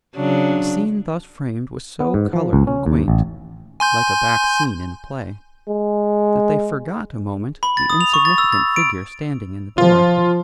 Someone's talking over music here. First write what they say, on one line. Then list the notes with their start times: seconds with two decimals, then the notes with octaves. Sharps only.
The scene thus framed was so coloured and quaint, like a back scene in a play, that they forgot a moment the insignificant figure standing in the door.
0.16 C#3 F#3 D4
2.00 B3
2.14 G#2
2.33 F3
2.53 C#2
2.67 C#4
2.86 D#2
3.08 A1
3.80 G#5 C6 G6
5.68 G#3
7.63 B5
7.77 A6
7.90 D#6
8.01 F7
8.14 C#6
8.25 A6
8.38 E6
8.52 A6
8.76 D7
9.78 F3 F4